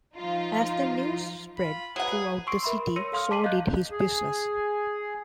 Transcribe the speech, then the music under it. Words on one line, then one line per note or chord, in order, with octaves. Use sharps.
As the news spread throughout the city, so did his business.
F3 D#4 F4
F4 B5
F#3 G#4 B4 F#5
C6 C#6 E6 C7 D7
A#4 E5 B5 C6
C#5 C6 E6 A#6 C#7 D#7
A4 F5 C6 D#6 F6
A5 D6 B6 C7 D#7 F#7
D#5 F5 A#5 F#6 G6
G#4